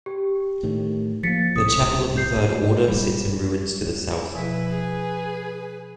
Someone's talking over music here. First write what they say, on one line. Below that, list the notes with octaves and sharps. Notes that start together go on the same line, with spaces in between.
The chapel of the Third Order sits in ruins to the south.
G4
A2 D#3
F3 F#3 A#3 A6 B6 C#7
C2 C3 D#6
G6 C7
G3
B2 F3 E4 B4 G#5
G#4